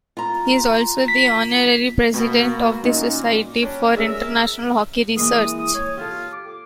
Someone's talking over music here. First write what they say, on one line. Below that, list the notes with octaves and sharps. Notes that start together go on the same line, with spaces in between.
He is also the Honorary President of the Society for International Hockey Research.
F4 A#5
B6
B2 A#3 B3 F#4
A#2 A#3 C#4 D#4
G3 C#4 D4
G#3 C#4 A#4 E5
E3 G#3 A#3 D#6
D#6
C#5
F4 G4 A4
D6